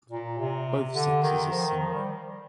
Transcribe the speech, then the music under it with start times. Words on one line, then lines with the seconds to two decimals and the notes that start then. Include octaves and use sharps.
Both sexes are similar.
0.09 A#2
0.38 C3
0.94 D3
1.22 D#3
1.51 F3
1.66 D#3
1.80 F3
1.94 G3